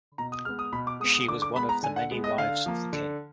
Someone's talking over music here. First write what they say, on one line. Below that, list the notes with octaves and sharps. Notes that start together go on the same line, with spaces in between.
She was one of the many wives of the king.
B2 A#5
D#6
G#3 B3 F6
D#6
B2 B5
D6
G#3 B3 D#6
D#6
D3 D6
D6
G#3 B3 B5
A#5
D3 G#5
F#5
G#3 B3
D#5
D3 F5
F3 A#3
D3